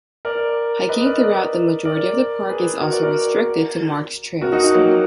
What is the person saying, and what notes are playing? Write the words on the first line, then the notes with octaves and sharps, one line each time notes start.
Hiking throughout the majority of the park is also restricted to marked trails.
A#4 D5
B4 D#5
A#4 D5
A#4 D5
G#4 B4
F#4 A#4
A#4 D5
A#4 D5
F#4 A#4
D#4 F#4
D#4 F#4
F#3 A#3